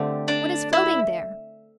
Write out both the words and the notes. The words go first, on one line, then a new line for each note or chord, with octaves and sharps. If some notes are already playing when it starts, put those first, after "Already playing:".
"What is floating there?"
Already playing: D3 A3 C4 G4
D4
E4